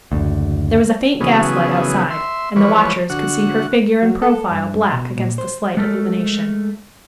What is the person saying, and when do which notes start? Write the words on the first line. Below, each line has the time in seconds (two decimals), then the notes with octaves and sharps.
There was a faint gaslight outside, and the watchers could see her figure and profile black against the slight illumination.
0.12 F#1 D2
1.21 C#3 E3 F#3 B3 G#4
2.10 E5 C6
2.56 E3 F3 G3 B4 C#5
3.10 D3 F#4 F#5
4.03 F#3
4.22 A4
4.50 G2
4.92 B2
5.17 A#2
5.38 C5
5.77 G#3 A3 A4 A#4